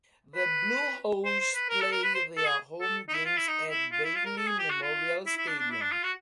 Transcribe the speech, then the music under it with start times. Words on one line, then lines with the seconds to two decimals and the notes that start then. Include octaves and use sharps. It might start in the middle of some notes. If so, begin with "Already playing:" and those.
The Blue Hose play their home games at Bailey Memorial Stadium.
0.36 B4
1.25 C5
1.40 C5
1.55 B4
1.70 A#4
1.81 A4
1.92 A#4
2.03 B4
2.15 C5
2.37 A4
2.48 G#4
2.81 A4
3.09 D#4
3.14 E4
3.26 F4
3.37 E4
3.48 D#4
3.70 E4
3.92 F4
4.04 E4
4.15 F4
4.26 A#4
4.37 A4
4.47 G#4
4.59 G4
4.70 F#4
4.82 F4
5.26 E4
5.37 E4
5.48 D4
5.59 D4
5.71 E4
5.82 D4
5.92 F4
6.04 F#4